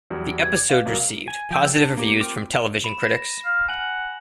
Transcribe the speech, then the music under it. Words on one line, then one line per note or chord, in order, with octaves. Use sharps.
The episode received positive reviews from television critics.
E2 F#3 G3
G#6
D6
F5
C2 F#3 A#3
G#5
F3 G5 E6
D4
A#3 G4
C4 F4 A#4 G5 D6
B5 E7
A#6
F5
F#5 G#5 F#7